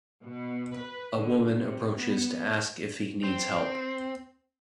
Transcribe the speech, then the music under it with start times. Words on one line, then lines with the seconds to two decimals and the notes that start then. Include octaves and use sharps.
A woman approaches to ask if he needs help.
0.22 B2
0.77 B4
1.15 D3
1.58 C3
1.95 B3
3.23 C4